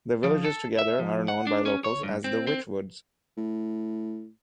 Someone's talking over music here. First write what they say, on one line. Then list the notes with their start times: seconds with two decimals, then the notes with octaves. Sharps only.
The villages together are known by locals as "The Wychwoods".
0.24 F3
0.45 A4
0.79 E5
0.99 F3
1.28 F#5
1.47 D4
1.66 C#4
1.84 C#5
2.03 G2
2.24 C4
2.47 C4
3.37 A2